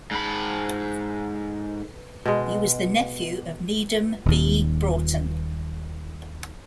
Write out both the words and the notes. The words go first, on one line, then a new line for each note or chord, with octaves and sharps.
He was the nephew of Needham B. Broughton.
G#2 B5
B2 G#3
D#1 D#2